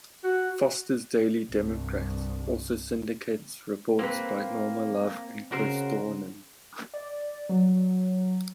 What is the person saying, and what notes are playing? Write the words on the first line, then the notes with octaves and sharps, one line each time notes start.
"Foster's Daily Democrat" also syndicates reports by Norma Love and Chris Dornin.
F#4
C2 G2
A#3 C4 B4
C#3 F#4 A#4 C5
D5
F#3